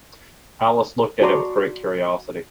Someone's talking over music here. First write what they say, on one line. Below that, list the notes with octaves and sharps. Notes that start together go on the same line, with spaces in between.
Alice looked at it with great curiosity.
F#4 D5 A5 A#5 C6 D6